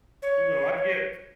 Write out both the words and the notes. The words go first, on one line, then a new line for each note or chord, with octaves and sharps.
you know, I'd get
C#5